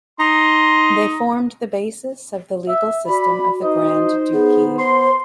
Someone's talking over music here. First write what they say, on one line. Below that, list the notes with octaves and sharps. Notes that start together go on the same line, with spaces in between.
They formed the basis of the legal system of the Grand Duchy.
D#4 C6
E5
F#4 D5 B5
D#4 C5 D#5
B3 G#4
C5 C6